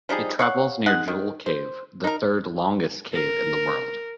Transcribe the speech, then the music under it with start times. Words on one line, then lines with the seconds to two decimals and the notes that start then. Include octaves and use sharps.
It travels near Jewel Cave, the third-longest cave in the world.
0.09 F3 G3 D#4 G#4
0.39 C#5 F5 F#5
0.86 G#3 D#4 F#5
1.08 D#3
1.46 C5
2.04 D#4 A#4
3.13 A#4